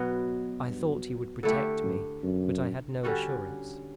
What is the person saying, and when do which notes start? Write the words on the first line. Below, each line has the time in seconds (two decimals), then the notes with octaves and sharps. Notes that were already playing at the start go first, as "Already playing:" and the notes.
I thought he would protect me, but I had no assurance.
Already playing: B2 F#3 B3
0.65 G2
1.43 D3 A3 E4 G4
1.83 F#2
2.23 F#2
3.03 D3 G3 C#4 F#4